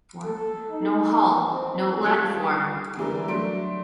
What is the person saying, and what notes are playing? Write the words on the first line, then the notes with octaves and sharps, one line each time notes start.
No hole, no landform.
A4
D#4
C4
G3 F4 G4 A4 G#6 C#7
D3 E3 G3 A#4
F#3 A3 D4 C6 D7